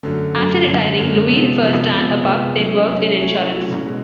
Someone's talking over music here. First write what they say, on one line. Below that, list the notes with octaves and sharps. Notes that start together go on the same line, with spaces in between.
After retiring, Lewis first ran a pub, then worked in insurance.
F#2 D3 F#3 A3
F#2 D3 F#3 A3
F#2 D3 F#3 A3
F#2 D3 F#3 A3
C3 F3 G#3 B3
C3 F3 G#3 B3
C3 F3 G#3 B3
C3 F3 G#3 B3
F#3 A3 C#4 E4
F#3 A3 C#4 E4
F#3 A3 C#4 E4
F#3 A3 C#4 E4
B2 G#3